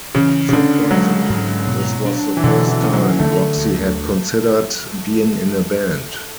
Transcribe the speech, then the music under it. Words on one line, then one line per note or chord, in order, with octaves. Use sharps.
Surprisingly, this was the first time Roxy had considered being in a band.
C#3 E3
C#3
D3 D4
F#3 G#3
G#2
B2
D4
E3
B2 D3
E3
C#4
F#3
D3 A3
D2